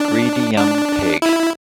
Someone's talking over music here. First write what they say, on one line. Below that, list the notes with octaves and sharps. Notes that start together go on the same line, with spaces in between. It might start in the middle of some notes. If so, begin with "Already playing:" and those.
Greedy young pig.
Already playing: D4
D4
E4